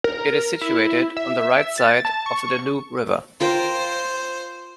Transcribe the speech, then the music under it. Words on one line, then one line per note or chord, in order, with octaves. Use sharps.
It is situated on the right side of the Danube river.
A#4
E4
E5
A6
A5
C#6
F4 A#4 C5 G5